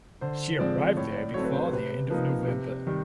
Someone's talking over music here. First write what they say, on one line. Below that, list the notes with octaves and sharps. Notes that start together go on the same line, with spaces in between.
She arrived there before the end of November.
D3 C5
F3 G#3 C4 D5
A2 C#5
D5
F#3 A3 C4 C#5
B4
C5
C3 B4
F3 A#3 D#4 B4
C3
D#3 G3